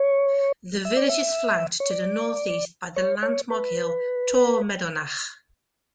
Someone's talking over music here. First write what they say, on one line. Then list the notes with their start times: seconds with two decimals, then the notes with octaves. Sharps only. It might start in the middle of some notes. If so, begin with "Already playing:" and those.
The village is flanked to the northeast by the landmark hill Torr Meadhonach.
Already playing: C#5
0.85 E5
0.97 D5
1.09 E5
1.80 C#5
1.91 D5
2.96 C#5
3.23 C#5
3.50 B4